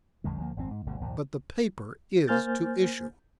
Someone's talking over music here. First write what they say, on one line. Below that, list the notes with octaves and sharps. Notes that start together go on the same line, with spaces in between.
But the paper is to issue.'
B1 F#2 D#3 G#3
D2 F3 A#3
G#1 F2 D#3 C4
G#2
G1 D2 B2 D3
A#1 D#2 G#2
A#3 C5 G#5 F6 G6 A6